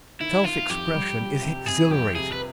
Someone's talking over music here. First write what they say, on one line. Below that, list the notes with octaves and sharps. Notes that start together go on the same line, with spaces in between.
Self-expression is exhilarating.
D#3 E4
D#3 F4
F2 G4
G3
G3
C3
C3 G#4
F2 G4
C3 G#4
B4